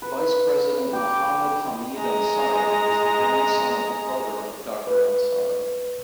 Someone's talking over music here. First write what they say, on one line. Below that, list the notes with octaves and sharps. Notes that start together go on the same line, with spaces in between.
Vice President Mohammad Hamid Ansari is the grandson of a brother of Doctor Ansari.
B4
G4 D6
G#3 A#5
B4